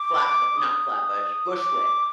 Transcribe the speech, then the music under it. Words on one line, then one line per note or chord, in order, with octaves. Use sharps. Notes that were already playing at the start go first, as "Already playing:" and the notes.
Flatbu not Flatbush, Bushwick,
Already playing: D6
D#6
D6